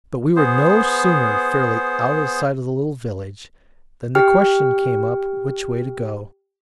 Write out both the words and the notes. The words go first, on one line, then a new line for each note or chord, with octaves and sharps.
But we were no sooner fairly out of sight of the little village than the question came up which way to go.
B3 G#4 C5
G4 G5 F6